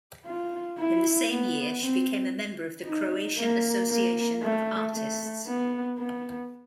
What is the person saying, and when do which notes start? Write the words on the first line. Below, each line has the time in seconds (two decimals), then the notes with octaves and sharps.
In the same year, she became a member of the Croatian Association of Artists.
0.25 F4
0.78 E4
1.29 B3
1.81 C4
2.85 D#4
3.38 A#3
3.89 A#3
4.42 A3
4.93 A3
5.46 B3
5.98 B3